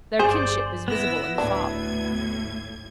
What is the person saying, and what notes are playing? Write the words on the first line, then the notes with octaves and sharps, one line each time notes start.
Their kinship is visible in the fop.
G1 G#4 C5 D5
B3 E4 E6 A#6
D2 A2 D4 G#6